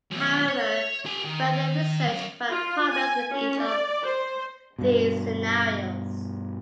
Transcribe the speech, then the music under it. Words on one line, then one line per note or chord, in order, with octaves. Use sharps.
However, further research found problems with each of these scenarios.
F#2 B2
C#5
G4 G#5
D#3
F#2
F4
G#5
C#4
D5
C5
G2 B2